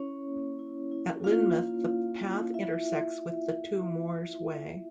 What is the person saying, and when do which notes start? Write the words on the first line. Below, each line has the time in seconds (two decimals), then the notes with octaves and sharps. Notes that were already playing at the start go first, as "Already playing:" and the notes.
At Lynmouth the path intersects with the Two Moors Way.
Already playing: C#4 E4 C#5
0.27 A#3
0.59 E4
0.91 E4
1.24 A#3 F4 F5
1.57 F4
1.89 F4
2.21 F4
2.54 E4 E5